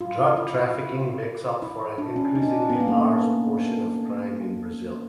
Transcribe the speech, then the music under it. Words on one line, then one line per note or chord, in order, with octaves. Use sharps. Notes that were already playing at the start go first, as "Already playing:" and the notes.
Drug trafficking makes up for an increasingly large portion of crime in Brazil.
F4
E4
E4
E4
E4
D4
C#4
D#4
D4
B3
A#3
A3